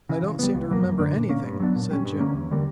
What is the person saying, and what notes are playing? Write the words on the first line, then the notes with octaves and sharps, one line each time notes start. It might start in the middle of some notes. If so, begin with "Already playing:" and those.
"I don't seem to remember anything," said Jim.
C#3 E3
C#3
G3 B3
C#2
B2 F#3 A#3
F#2
D3 A#3 D4
A#2
A#3 C#4
G2
F#3 B3 D4
A#2
G3 C#4
G2
D3 A#3 C#4
E2
D3 G3 A#3